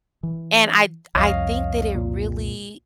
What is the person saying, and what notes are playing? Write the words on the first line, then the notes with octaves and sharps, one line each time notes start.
And I I think that it really
E3
C2 F2 C#5 D#5 F5
A#2